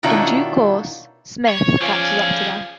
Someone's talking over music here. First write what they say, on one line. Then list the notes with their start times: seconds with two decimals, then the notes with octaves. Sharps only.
In due course, Smith catches up to them.
0.03 B2 D#3 C#4 D4 E4 F4
1.49 C#5
1.81 F3 C#4 G#4 D5 F5